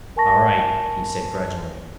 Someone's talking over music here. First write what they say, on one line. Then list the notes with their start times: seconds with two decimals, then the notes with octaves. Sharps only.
"All right," he said grudgingly.
0.16 A#4 G#5 A5 C#6 A#6